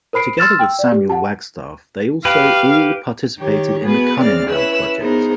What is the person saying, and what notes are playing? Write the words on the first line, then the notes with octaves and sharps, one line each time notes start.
Together with Samuel Wagstaff they also all participated in the Cunningham project.
A#4 C5 B5 C7 D7
C6 E6 F6 A6 E7
G5 E6
D5
G4
F#5 A5
G4 B4 F5
D#3 G4 C#5
B3 F#4 G#4 B4
C#3 E3 C4 D5 F6
C#4 E4 B4 E6 F#6
B3 D#4 G#4 A#4 C5